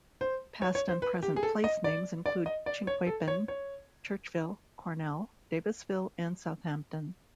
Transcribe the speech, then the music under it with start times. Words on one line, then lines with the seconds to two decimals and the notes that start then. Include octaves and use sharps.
Past and present place names include Chinquapin, Churchville, Cornell, Davisville, and Southampton.
0.21 C5
0.62 C#5
0.75 C#5
0.89 C5
1.02 B4
1.23 G4
1.36 G#4
1.43 A4
1.64 D#5
1.84 D5
2.26 D5
2.46 D#5
2.66 D5
2.87 C#5
3.07 A4
3.28 C#5
3.48 C#5